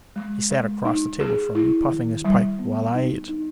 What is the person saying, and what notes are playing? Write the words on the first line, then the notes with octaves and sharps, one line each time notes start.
He sat across the table from me, puffing his pipe while I ate.
G#3
G#3
D#4
G#4
E4
D#3
G3
B3
D#4
D#4